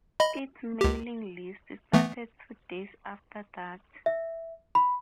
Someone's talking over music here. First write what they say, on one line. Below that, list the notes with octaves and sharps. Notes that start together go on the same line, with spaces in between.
Its mailing list started two days after that.
D#5 B5
C#2 G4
E3 A3 B3
E5
B5